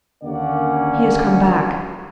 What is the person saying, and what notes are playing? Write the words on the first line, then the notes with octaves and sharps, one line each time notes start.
"He has come back."
D#2 D3 A#3 C#4 D5 F#5